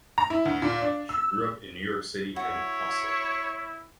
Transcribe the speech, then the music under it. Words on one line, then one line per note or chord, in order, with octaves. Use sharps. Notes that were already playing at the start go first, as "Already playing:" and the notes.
She grew up in New York City and Oslo.
A#5
E4
D2
A#2
D4
E6
E4 F#4 C#5